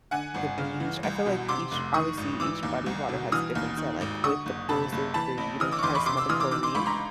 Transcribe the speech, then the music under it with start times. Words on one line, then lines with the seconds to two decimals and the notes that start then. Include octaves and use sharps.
the beach, I feel, like, each obviously, each body of water has a different scent, like, with the pools are, you know, you kinda smell the chlorine.
0.11 D3 F#5 G#5
0.34 G1
0.58 C#3
0.80 E3
1.03 C2
1.26 B2
1.49 C3 C6 D6
1.72 F1
1.94 D#3 C#6 D#6
2.17 G#1
2.40 E3 D6 E6
2.63 D#2
2.86 C2
3.09 B2
3.32 E3 D#6 F6
3.55 D#2
3.77 D#3
4.01 G#1
4.24 D3 C#6 D#6
4.46 F#1
4.69 C3 A5 B5
4.92 F#1
5.14 E3 A5 B5
5.38 A1
5.60 E3 D#6 F6
5.71 D6 E6
5.79 C#6
5.83 E2 C6 D6
5.95 B5 C#6
6.06 C3 C6 D6
6.17 D6 E6
6.29 E3 D#6 F6
6.40 D6 E6
6.51 D#3 D6 E6
6.63 C6 D6
6.75 C#2 B5 C#6
6.86 A#5 C6